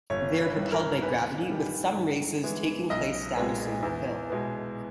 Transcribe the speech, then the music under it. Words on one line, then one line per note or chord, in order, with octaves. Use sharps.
They are propelled by gravity, with some races taking place down a single hill.
G1 C#5
C#5
B4
G2 D#3
A#4
E2 B4
D#3 G3
G2
E3 G#3 B3
B1 D#5
A#2 G#3 B3
E2
B2 G#3 B3